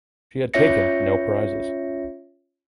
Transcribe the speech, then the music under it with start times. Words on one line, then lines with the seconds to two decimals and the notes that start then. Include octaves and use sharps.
She had taken no prizes.
0.54 C#4 F4 C#5 E5 A#6 C#7